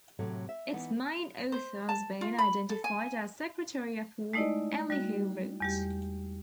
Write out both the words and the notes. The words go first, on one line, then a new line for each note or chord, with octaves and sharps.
Its main author has been identified as Secretary of War Elihu Root.
A2 C3 F#3 A3
E5
E3 B3 D#4
C5
A5
F4
B5
A4
G#5
G#3 A3 D#4 E4 D5 D#5
G3 F#4
E2 G3 G4